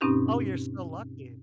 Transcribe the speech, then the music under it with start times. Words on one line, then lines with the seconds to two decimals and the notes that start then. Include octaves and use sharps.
Oh, you're so lucky.
0.01 G2 B2 C4 C#4 D#4 G4